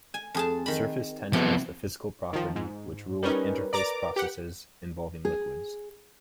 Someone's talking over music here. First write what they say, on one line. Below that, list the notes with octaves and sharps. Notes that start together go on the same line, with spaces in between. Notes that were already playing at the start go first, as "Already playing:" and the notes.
Surface tension is the physical property which rules interface processes involving liquids.
G#5
F2 G#4 A5
D#3 B5
C3 F3 B3
D#3 F3
G#2
G3 C#4 D#4 A#4 B4
D5 A#5 D6
G4 F#5
G#4